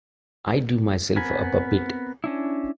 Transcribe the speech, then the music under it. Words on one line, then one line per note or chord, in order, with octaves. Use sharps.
I drew myself up a bit.
B3 C4 A#4 G#5 B5
C#4 D4 E4